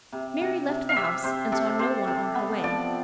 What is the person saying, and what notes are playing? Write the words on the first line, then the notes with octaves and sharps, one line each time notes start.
Mary left the house, and saw no one on her way.
C3
C3
C3
F5
C3 E5
C3 C5
C3 A4
C3 C5
C3
B3
F3 D5